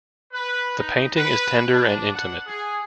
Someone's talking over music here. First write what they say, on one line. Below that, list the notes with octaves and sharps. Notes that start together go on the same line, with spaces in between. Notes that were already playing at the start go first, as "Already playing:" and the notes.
The painting is tender and intimate.
B4
D#4
B4
D4
F#5
G#4